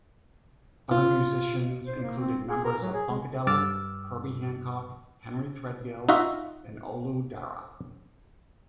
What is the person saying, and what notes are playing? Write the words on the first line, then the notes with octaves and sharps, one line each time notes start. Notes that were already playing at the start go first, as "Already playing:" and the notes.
Other musicians included members of Funkadelic, Herbie Hancock, Henry Threadgill and Olu Dara.
F4
C5
A#3
C4
G#4
A#4
F#3
G#4
G#3
G2 D6 E6 F6 A6
D#4 F4 F#4 E5